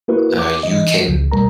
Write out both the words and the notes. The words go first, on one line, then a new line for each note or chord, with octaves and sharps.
uh, you can,
A#3 E4 F#4 A#4 B4
D6
E3 D#5
F#3
C#2 C#3
D2 B2 G3 A#4 A#5